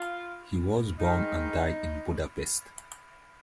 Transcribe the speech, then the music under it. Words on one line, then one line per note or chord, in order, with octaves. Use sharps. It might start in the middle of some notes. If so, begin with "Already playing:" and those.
He was born and died in Budapest.
Already playing: F4
G#2 D#3 D#4